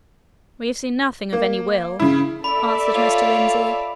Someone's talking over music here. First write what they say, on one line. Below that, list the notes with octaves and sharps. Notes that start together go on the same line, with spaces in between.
"We've seen nothing of any will," answered Mr. Lindsey.
A#3
C#3 E4
A4 D5 E5 B5
F4 C#5